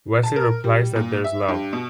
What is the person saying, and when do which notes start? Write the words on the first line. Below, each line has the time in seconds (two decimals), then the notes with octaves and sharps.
Wesley replies that There's love.
0.23 A5
0.36 A#4
0.64 G3
0.96 A#2
1.24 E5
1.48 G2
1.73 B2